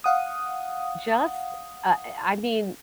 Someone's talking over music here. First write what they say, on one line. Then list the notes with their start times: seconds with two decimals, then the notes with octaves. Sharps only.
just uh, I I mean,
0.04 F5 F#5 D#6